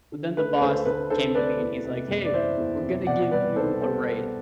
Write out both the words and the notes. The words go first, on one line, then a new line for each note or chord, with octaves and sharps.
But then the boss came to me, and he's like, "Hey. We're gonna give you a raise".
D3
A3 B4
D2 A4 C5
D2 B4
D3 A4 C5
A3 B4 D5
E2
C3
F#1
D5
E3 C5 E5
E2
C3
B2 D5 F#5
G3 B4 D5
C2 A4 C5
B3 A4 C5
B2